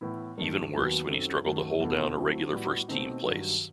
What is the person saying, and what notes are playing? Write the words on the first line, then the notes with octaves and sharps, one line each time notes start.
Even worse when he struggled to hold down a regular first-team place.
A2 E3 B3 E4
G2 D#3 A3 D#4
D#2 D#3 F#3 B3 F#4
F#2 F#3 C4 D#4 A4
F#2 D#3 F#3 A3
E2 B2 A3 E4 A4
F#3 A3 C4 E4
A2 G3 B3 F#4
B2 A3 C4 D#4
G2 D#3 F#3